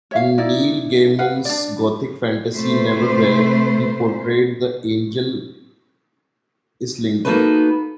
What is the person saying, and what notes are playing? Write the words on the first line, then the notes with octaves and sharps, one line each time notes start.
In Neil Gaiman's gothic fantasy "Neverwhere", he portrayed the angel Islington.
C#5 E5 F5
D#4 E4 D5
B4 F5 F#5
D4 D5
C3 A3 B4 C5
A#3 B3 D#4 F#4 A4 B4